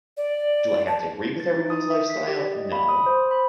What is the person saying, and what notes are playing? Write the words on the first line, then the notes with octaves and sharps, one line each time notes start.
Do I have to agree with everyone's lifestyle? No,
D5
A5
A6
D#4
D#6
E5
B6
G4
D5
D#5
B5
D#6
C5
B5